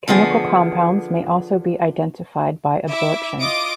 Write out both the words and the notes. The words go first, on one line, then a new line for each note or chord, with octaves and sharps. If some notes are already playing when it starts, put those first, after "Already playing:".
Chemical compounds may also be identified by absorption.
D3 F3 B3 G#4
E4 E5 D6
F4 D#5 D6 D#6 D7